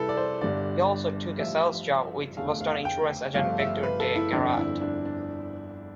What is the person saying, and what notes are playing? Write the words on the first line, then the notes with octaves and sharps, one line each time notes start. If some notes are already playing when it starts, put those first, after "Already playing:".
He also took a sales job with Boston insurance agent Victor De Gerard.
Already playing: C2 C3 G3 E4 A4 B4
D5
C5
G1 G2 D3 D5
A1 G2 F3 E5
F1 E2 D3 A3 F5
F5
G5
G1 G2 F3 A3 F5
E5
B4
A4
E4
G1 F2 D3 D4
E4
D4
D4